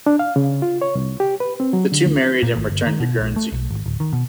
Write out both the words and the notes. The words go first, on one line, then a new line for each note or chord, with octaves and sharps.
The two married and returned to Guernsey.
D4
F5
C#3
F4
C#5
C2
G4
B4
C4
F#3
D3
D2
A#2
G#1
G1
D#3
B2
A#1
A3
B1
G#1
D1
D#3
B2